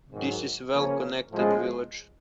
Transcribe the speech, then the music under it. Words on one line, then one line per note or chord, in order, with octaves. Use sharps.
This is a well-connected village.
G#2 D#3 F#3
C#3 F3 A#3 C#4
A2 F3 G#3 C#4 F4